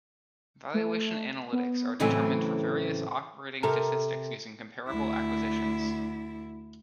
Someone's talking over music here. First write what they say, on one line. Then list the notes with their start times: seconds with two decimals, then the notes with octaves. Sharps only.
Valuation analytics are determined for various operating statistics using comparable acquisitions.
0.74 A3
1.52 B3
2.00 A2 C#3 E3 F#3 A3 C4
3.63 C3 A4 A#4
4.88 D2 E4